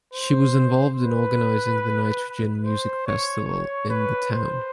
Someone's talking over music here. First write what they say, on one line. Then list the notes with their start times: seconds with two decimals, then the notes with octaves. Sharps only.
She was involved in organising the Nitrogen music festival in the town.
0.14 C5
0.98 B4
2.65 C5
3.07 C#5
3.48 C#5
3.90 B4
4.32 C5